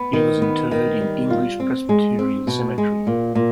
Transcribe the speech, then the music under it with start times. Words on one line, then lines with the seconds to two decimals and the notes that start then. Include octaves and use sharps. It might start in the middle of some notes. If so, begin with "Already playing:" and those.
He was interred in English Presbyterian Cemetery.
Already playing: B3
0.13 D#3
0.42 B3
0.71 D#3
1.01 G3
1.30 F4
1.60 C4
1.89 G#3
2.19 C4
2.47 B2
2.78 G#3
3.07 A#2
3.35 A#2